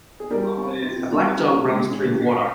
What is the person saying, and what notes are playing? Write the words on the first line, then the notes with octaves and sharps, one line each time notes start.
A black dog runs through the water.
G#4
G3 A#4
C3
C3
G3
C#3
G#3
C#3 C#4